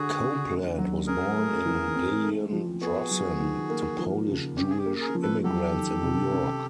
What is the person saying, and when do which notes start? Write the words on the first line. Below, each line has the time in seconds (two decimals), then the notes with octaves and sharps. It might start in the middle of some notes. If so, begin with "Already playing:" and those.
Copeland was born Lillian Drossin to Polish Jewish immigrants in New York.
Already playing: D3 F#4 G#4
0.19 C#4
0.49 A3
0.78 F#3
1.07 C#4 G#4 A#4
1.36 A3
1.65 E3
1.94 C4
2.23 A3
2.53 F3
2.82 B3 F#4 G#4
3.11 F#3
3.40 D#3
3.70 A#3
3.99 F3
4.28 C#3
4.57 C#4 G4
4.70 G#4
4.79 G4
4.86 A#3
5.01 G#4 A#4
5.15 F3
5.22 A4 B4
5.44 F#3 G4 A4
5.73 D#3
6.03 C3
6.32 C#4